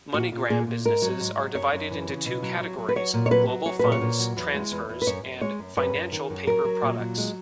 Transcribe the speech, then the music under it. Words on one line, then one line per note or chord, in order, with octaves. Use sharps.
MoneyGram businesses are divided into two categories: Global Funds Transfers and Financial Paper Products.
A#2 F#4
A#2
A#2 G#4
A#2
G#2 A#4
F#3
G#2
F#3
F#2 C#5
F#2
E3
C#3
B2
F#3
F#3
F#3
B4
F#3 C#5
A#2
C#5
F#3 B4
F#3
F#3 C#5
A#2 B4
C#5
A#2
F#3
E2
G#3
E2
E2
B4
F#2 C#5
F#2
G#3 C#5
F#2
F#2 B4
F#2
D#3
F#2
F#3 A#4
F#3
A#2
F#3
G#3